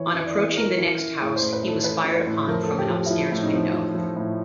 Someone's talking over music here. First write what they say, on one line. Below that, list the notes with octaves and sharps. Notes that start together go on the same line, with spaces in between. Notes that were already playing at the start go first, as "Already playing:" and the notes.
On approaching the next house, he was fired upon from an upstairs window.
Already playing: E3 C#5
E3
D5
E3
E3 A#4
E3
E3
A2 G#4
C5
A2
B4
A2 A4
E3 B4
E3
B4
A2
F3 A#4
A4
A2
G4
F3
G4
E4
F3 F4
A2
D#4
F3
F3
F3
A2